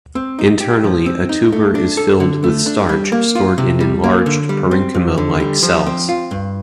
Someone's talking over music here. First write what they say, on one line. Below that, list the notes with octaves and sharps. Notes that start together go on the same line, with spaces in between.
Internally, a tuber is filled with starch stored in enlarged parenchyma like cells.
C4
D#4
G4
F3
C4
D#4
A3
D4
A4
D3
A3
D4
G3
A#3
F4
C3
G3
A#3
D3
G3
C4
F2
D3
G3
F3
C4
F4
G2